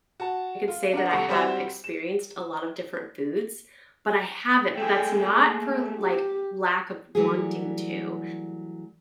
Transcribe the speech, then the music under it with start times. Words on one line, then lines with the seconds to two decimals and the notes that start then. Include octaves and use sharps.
I could say that I have experienced a lot of different foods, but I haven't, but that's not for, like, lack of wanting to,
0.20 F#4 A5
0.68 F4
0.93 D4 A#4 F#5
1.09 C2 A4 F#5 C#6
1.29 G3 C4 F#4 G4 C5 E5
1.84 E7
4.77 A3 G#4 G5
5.39 A#3
5.96 G4
7.15 E3 F#3 G3 A3 F#4 G#4